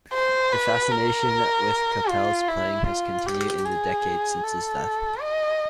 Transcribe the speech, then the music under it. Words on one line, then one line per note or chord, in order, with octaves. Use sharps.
The fascination with Kapell's playing has continued in the decades since his death.
C5
B4
A#4
F4
E4
F4
G4
G#4
A4
D#5